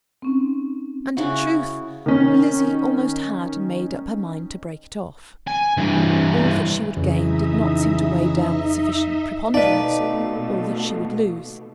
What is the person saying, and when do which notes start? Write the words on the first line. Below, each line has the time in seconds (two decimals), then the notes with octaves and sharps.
And, in truth, Lizzie almost had made up her mind to break it off. All that she would gain did not seem to weigh down with sufficient preponderance all that she would lose.
0.22 C4 C#4 D#4
1.17 C#3 C#4 E4 F#4
2.06 D#3 C#4
5.47 G#5
5.77 G2 E3
6.97 F2 C#3 E3 D#4 D#5 E5
9.54 B2 A3 D#4 B4 D5 D#5 F5 A5